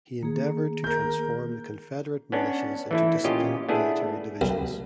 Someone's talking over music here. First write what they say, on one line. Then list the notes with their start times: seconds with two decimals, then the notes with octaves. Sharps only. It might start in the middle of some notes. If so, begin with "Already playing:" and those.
He endeavored to transform the Confederate Militias into disciplined military divisions.
0.23 D#3 A#3 G#4
0.84 A#4 G6
2.32 B3 C#4 D4
2.91 E3 A3 E4
3.24 A#2 C#4 F4 G4 D#5
3.69 A3 B3 D4 E4 G#4
4.41 B1